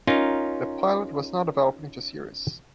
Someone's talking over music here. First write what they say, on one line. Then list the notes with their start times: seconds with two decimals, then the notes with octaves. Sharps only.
The pilot was not developed into a series.
0.07 C#4 D#4 F4 A#4